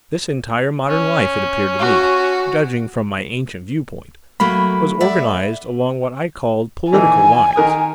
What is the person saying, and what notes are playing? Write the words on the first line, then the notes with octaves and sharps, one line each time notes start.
This entire modern life, it appeared to me, judging from my ancient viewpoint, was organized along what I called "political" lines.
C#4
F#4
F#3 A3 A#3 B5
D5 E5 F#5
A#2 D#3 E3 G#5
D#3 A#4 D#6